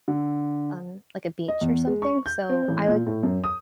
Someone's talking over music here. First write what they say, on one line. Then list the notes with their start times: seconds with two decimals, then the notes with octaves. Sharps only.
have um, like, a beach or something, so I like
0.08 D3
1.48 D#5
1.61 E2
1.87 G#3
2.02 C#6
2.26 G6
2.49 C4
2.68 A1
2.88 A#2
3.06 A2
3.23 F#2
3.44 D#6